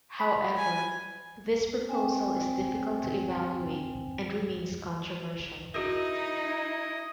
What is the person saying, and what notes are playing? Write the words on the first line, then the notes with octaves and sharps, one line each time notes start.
However, this proposal is difficult to evaluate, and remains controversial.
B5
G#5
C4 C5 G5 G#5
D#4 E4 F#4 G#4 A#4 D#5